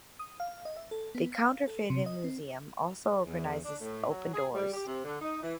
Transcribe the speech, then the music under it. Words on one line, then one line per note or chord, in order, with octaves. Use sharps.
The Counterfeiting Museum also organizes Open Doors.
D#6
F5
D#5
E5
A4
B3
F5
A4
C3
D#5
C4
E2
D4
A2
F#3
G#4
G3
G4
C3
D3
D#4
E3